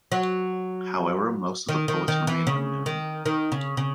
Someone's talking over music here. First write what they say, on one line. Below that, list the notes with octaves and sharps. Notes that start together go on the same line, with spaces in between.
However, most of the poets remain unknown.
F#3
D#3
D#3
D#3
E3
C#3
D#3
D#3
C#3
C#3